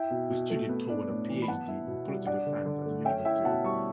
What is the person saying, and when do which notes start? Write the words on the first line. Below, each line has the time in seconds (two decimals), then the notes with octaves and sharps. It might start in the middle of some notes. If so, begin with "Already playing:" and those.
He studied toward a Ph.D. in political science at the University of Iowa.
Already playing: E4 E5 G5
0.10 B2
0.30 B2
0.50 A3
0.69 B3
0.89 D4
1.09 A2
1.29 E3
1.42 B5
1.48 B3 F#5 A5
1.68 E4
1.87 B2
2.07 G3
2.26 D4 D5 F#5
2.46 D3
2.66 D3
2.86 A3
3.05 C#4 E5 G5
3.25 E4 E5 G5
3.44 B2 F#5 A5
3.64 G3 A5 C#6